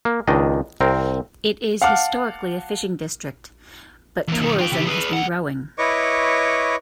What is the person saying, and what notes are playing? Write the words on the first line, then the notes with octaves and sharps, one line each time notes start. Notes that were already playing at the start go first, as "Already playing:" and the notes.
It is historically a fishing district, but tourism has been growing.
A#3
C#2 D#3 D4 D#5
C2 C4 A#4
F5 F#5 A5 D6 F6
E2 A#3
B1 D#3
F4 G5
C#3 G4
G#4 B4
D#2 F#5
E4 B4 C#5 D#5 C#6 D6